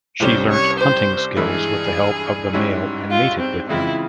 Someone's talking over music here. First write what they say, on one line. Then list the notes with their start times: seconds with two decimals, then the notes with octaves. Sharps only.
She learnt hunting skills with the help of the male and mated with him.
0.20 C2 C3 G3 C#4 C5
0.50 C#5
0.79 C5
1.37 G2 E3 G#3 E4 G#4
2.53 G#2 G3 C#4 E4
3.11 F4
3.40 C4
3.69 C#3 E3 G#3 C4 E4 F4